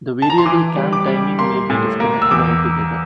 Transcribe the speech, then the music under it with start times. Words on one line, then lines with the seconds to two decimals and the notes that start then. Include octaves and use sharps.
The variable cam timing may be disconnected altogether.
0.22 A5
0.30 A#5
0.38 C6
0.45 E3 D6
0.77 G3
0.93 D6
1.08 G3
1.39 A#3 C6
1.70 A2
2.00 A#3
2.22 E6
2.31 E2 D6